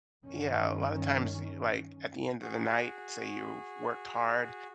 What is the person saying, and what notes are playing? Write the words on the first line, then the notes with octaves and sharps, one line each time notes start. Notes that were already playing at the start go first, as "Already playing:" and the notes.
yeah, a lotta times, like, at the end of the night, say you've worked hard,
G2 D#3 C#4
F#4 G#4